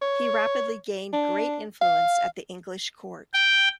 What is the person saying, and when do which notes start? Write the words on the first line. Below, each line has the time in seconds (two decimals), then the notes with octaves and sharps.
He rapidly gained great influence at the English court.
0.02 C#5
1.13 D4
1.81 F5
3.34 G5